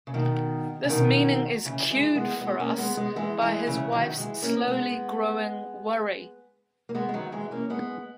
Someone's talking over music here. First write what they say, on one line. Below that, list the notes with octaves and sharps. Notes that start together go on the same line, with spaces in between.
This meaning is cued for us by his wife's slowly growing worry.
C#3
B2 D#3
C#3
B2 D#3
C#3 E3
E3 G#3
G#3 B3
G#3 B3
A#3 C#4
G#3 B3
G#3 B3
E3 G#3
E3 G#3
C#3 E3
D#3 F#3
E3 G#3
A#3 C#4
C#4
G#3 B3
A#3
G#3 B3
G#3
D#3 F#3
E3 G#3
A#3 C#4
G#3 B3